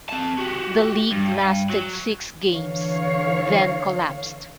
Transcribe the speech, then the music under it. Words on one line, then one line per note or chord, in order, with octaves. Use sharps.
The league lasted six games, then collapsed.
C4 A5
F#4 G4
G2
F#3
D3 E3 C#5 F5